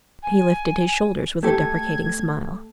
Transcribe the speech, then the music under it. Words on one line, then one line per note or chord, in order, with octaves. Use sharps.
He lifted his shoulders with a deprecating smile.
G#5
A3 G4 A4 G#6